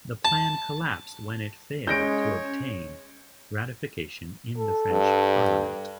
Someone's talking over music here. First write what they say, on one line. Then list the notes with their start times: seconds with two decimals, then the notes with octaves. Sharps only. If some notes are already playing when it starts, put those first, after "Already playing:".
The plan collapsed when it failed to obtain ratification in the French Parliament.
0.25 A5
1.87 G#3 C#4 C#5 G6 A#6 D7
4.58 A4
4.91 G2